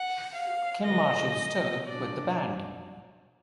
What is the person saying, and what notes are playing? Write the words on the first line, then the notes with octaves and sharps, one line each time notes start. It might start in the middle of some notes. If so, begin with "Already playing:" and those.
Kym Marsh is still with the band.
Already playing: F#5
F5
D3 F3 G#3 B3 D#5
B2 F#3 D4 D5